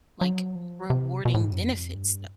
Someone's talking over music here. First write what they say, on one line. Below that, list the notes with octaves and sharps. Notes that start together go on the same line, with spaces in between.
like, rewarding benefits though.
F#3
F3
C3
B2
A2
G#2
F#2
F2
F#2
F2
G2